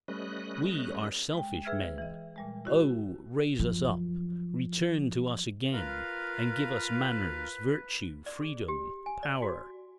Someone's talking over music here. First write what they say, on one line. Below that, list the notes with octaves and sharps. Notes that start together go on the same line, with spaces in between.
We are selfish men O! raise us up, return to us again; And give us manners, virtue, freedom, power.
G3 A3 C#4 B4 D#5 F#6
G#3 G5
G#4 B4 E5 E6 F6 G#6
E3 D#5
A#2 G3 G#3
E4 F#4 C5
F#2 F3
F4 A#4 B4 F5
D5
G#4
G4
G#5
D5
F#4